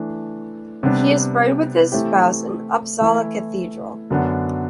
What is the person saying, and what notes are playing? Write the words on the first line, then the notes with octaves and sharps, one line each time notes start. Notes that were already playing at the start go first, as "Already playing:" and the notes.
He is buried with his spouse in Uppsala Cathedral.
Already playing: E3 A3 D4
C3 G3 B3 D4
E3 A3 C4 E4 G4
E3 A3 E4
F#2 D3 F#3 B3 D4